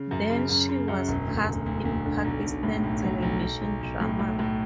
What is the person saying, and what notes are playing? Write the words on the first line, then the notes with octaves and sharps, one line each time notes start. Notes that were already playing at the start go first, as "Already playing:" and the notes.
Then she was cast in Pakistan television dramas.
Already playing: C#3
F#2
C#3
F#2
C#3
F#2
E1
D2
E1
D2
D2
D3
B1
B1
A2
B1
F#3
B1
B1
B1
B1
A2
A2
A2